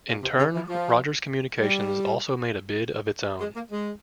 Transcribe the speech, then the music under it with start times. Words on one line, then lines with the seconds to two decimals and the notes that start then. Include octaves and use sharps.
In turn, Rogers Communications also made a bid of its own.
0.08 A#2
0.22 C3
0.38 C#3
0.54 E3
0.68 F3
1.59 G3
3.40 G#3
3.55 A#3
3.71 G#3